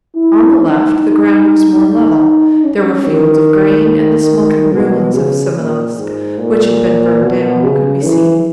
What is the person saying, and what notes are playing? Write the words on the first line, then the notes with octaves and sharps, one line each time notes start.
On the left the ground was more level; there were fields of grain, and the smoking ruins of Semenovsk, which had been burned down, could be seen.
E4
D#4
D#4
D#4
C#4
D#3
B2
C#3
A#2
G#2
A#2
B2
C#3
E3